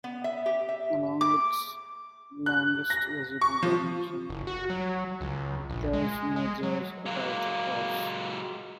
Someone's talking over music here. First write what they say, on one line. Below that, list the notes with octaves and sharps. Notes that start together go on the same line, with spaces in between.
Along its longest visible dimension, it thus measures about across.
B3
E5
G4
E5
D6
F#6
A#6
C#6
F3
F#1
F#4
F#3
C#2
A#1
G#3
G#3
F#3
F#3 G#3 A#3